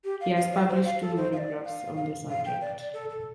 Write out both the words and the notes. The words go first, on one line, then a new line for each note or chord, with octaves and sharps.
He has published two monographs on the subject.
G4
F5
F5
D5
C5
F5
A4
C5
F5
D5
F5
F5
F5
G5
D5
D5
A4
A4